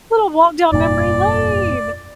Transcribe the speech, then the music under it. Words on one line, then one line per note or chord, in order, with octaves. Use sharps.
Little walk down memory lane.
F1 G2 A#2 D5